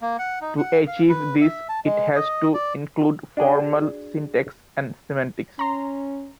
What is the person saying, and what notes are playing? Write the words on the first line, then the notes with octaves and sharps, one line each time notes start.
To achieve this it has to include formal syntax and semantics.
A#3
F#5
D#4
F#5
F5
B4
E5
A5
G#3
D#5
D5
D4 F#4 G#4 G5
C#4 A#5 C6